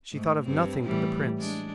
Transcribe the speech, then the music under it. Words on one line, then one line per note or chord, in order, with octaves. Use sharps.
She thought of nothing but the prince.
G#2 A3
G2 C4
A2 E3 G3
G#3 D4